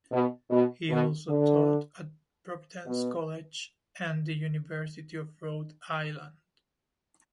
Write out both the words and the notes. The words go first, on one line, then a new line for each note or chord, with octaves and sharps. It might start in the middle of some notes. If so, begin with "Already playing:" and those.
He also taught at Providence College and the University of Rhode Island.
B2
B2
B2
D3
B2